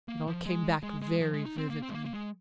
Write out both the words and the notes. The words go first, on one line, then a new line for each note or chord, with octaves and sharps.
It all came back very vividly.
A#3
F3
G#3
G#3
G#3
F3
G#3
D#4
C4
A#3
C4
G#3
A#3
A#3
G#3